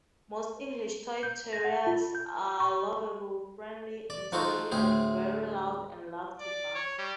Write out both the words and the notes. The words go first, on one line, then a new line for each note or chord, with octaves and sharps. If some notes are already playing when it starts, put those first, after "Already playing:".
Most English toy terriers are lovable, friendly, intelligent, very loud and love to bark.
G6
A#6
F#5
F4
G6
C#6
D5
F3 D#4 F4 F#4 A4 C5
D2 A2 G#4 C5
D5
C#5
G3